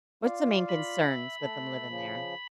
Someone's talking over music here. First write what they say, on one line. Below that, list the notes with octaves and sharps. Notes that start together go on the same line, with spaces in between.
What's the main concerns with them living there?
F4 D5 F5
B5
E5
A3 A4
C#3 F3